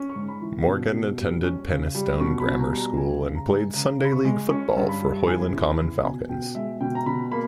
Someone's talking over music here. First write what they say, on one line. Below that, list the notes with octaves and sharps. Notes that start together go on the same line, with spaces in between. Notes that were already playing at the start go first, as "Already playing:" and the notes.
Morgan attended Penistone Grammar School and played Sunday league football for Hoyland Common Falcons.
Already playing: C#4
C#6
G#2
B5
E3
B2
B2
G3
C#4
C#3
G3
B2 C#6
B5
B2
A#5
G3
A#5
C#3 G#5
C#3
A#5
G#3
C#3 A#5
C#3
B5
C#6
G#3
C#4 C#6
G2
B5
G3
E2 G#5
E2
C#3
B2 G#5
B2 G5
G#3 E5
B2 G5
A#5
B2 B5
A#3 B5